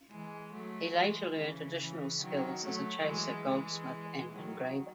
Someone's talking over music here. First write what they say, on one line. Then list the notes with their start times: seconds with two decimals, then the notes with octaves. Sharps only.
He later learnt additional skills as a chaser, goldsmith and engraver.
0.11 E3 G#3
0.52 F#3 A3
0.95 E3 G#3
1.37 C#3 E3
1.80 C#3 E3
2.22 D#3 F#3
2.63 F#3 A3
3.05 E3 G#3
3.48 E3 G#3
4.32 D#3 F#3